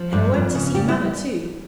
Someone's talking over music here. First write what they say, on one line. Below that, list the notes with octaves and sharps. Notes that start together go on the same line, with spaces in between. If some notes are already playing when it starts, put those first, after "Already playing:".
And I want to see mamma too.
Already playing: F3
G2
F2
C#3
G3 G4
E4